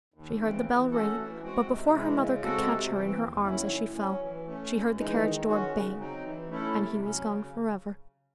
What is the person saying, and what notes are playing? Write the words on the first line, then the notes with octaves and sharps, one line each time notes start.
She heard the bell ring, but before her mother could catch her in her arms as she fell, she heard the carriage door bang, and he was gone forever.
D#2
C#3 E3 C4
E3
A3 C#4 F#4 A4
E3
G#3 C4 F#4
C3
E3 G#3
C#3
G#3 C4 F#4 A4
C3
E3 C4
D#2
D#3 F#3 C#4 E4
A2
F#3 C#4
E3
A3 C#4
F#2
E3 G#3 D#4
D#3
G#3 C#4 F#4
C#3
F#3 C4 D#4
E3
A3 C#4 E4 A4
C3
F#3 C#4
C#3